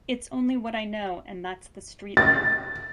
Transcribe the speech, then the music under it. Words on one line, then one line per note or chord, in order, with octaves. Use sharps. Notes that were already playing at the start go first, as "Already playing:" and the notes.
It's only what I know and that's that street life.
A6